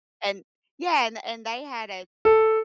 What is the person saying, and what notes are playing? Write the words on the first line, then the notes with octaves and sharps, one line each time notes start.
and yeah, and and they had a
A4